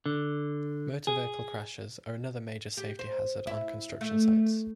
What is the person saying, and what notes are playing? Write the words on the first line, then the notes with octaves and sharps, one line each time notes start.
Motor vehicle crashes are another major safety hazard on construction sites.
D3
G#4
G4
C5
E4
A3